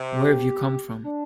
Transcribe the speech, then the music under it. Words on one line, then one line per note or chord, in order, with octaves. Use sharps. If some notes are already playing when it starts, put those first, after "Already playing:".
Where have you come from?
Already playing: C3
G4
D4